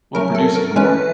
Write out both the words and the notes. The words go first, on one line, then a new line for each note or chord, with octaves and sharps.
what produces more?
F#3 A3 C#4 A#4
A4
A#4
E3 G#3 C#4 B4